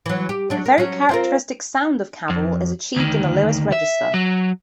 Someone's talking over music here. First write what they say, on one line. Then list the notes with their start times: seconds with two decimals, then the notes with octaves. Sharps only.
A very characteristic sound of kaval is achieved in the lowest register.
0.06 E3 F#3
0.29 G4
0.50 F#3 D4
0.66 A#4
0.78 F#3 C#4
1.09 C4 F4 A#4
2.30 F2
2.96 D2 D#3
3.72 E5
4.14 F#3